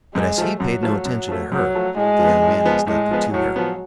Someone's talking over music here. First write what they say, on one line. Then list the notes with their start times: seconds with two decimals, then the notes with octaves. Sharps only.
But as he paid no attention to her, the young man was nothing to her.
0.14 F#2 G#3
0.38 F3 A3
0.60 F#2 F#3
0.83 F3 A3
1.05 F#2
1.28 F3 A3
1.51 F#2 F#3
1.75 F3 A3
1.97 A2 G#3
2.19 F3
2.24 B3
2.42 A2
2.65 F3 B3
2.87 A2 G#3
3.11 F3 B3
3.33 A2 F#3
3.56 F3 B3